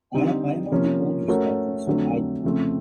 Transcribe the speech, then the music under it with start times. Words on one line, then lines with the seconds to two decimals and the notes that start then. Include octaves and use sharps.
I I am on the older spectrum, so I
0.14 D3 G3 C4 D#4
0.71 C3 F3 A#3 C#4
1.28 A3 C#4 F#4 A#4 C#5
1.87 F2 D3 F#3 A3 C4
2.44 F2 C#3 F3 A3 C4